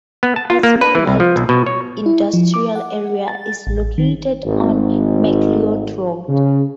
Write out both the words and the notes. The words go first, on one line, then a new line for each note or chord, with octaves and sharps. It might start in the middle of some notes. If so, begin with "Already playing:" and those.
A small light industrial area is located on McLeod Road.
B3
A5
F4
A#3
B4
E3
C2
F3
B1
B2
C#5
E4
F3
D6
F#5
A6
A1
D#3
G#1
C#3